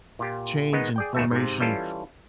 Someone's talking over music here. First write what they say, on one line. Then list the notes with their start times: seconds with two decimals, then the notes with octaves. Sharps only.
change in formation
0.19 A#2 F4 G4
0.73 D#3 G#3 B3 D#4
0.96 G#4 D5 G5
1.15 A1 D#2 A3 F#4 E5
1.31 G#2 C3
1.60 E3 G3 C#4 F4 A4